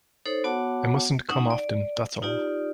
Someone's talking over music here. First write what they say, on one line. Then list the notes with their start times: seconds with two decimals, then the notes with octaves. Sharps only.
I mustn’t come often, that’s all.
0.26 D#4 A4 C5 C#5
0.44 B3 F#4 C#5 F#5 A5 D6
1.29 C#4 D#4 F#5 D#6
1.50 D5
2.22 D#4 F4 G4 D5